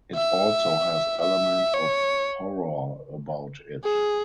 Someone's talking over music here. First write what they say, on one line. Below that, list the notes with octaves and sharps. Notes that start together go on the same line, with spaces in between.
It also has element of horror about it.
E5
E5
C#5
G#4